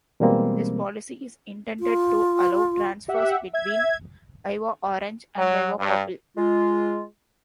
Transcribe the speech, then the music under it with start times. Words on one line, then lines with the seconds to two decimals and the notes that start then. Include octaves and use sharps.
This policy is intended to allow transfers between Viva Orange and Viva Purple.
0.20 B2 E3 G3 G#3 A#3 C4
1.80 F4
3.08 G4 E5 F#5
3.53 E5 G#6
5.38 F#3
5.79 G2
6.37 G#3 F4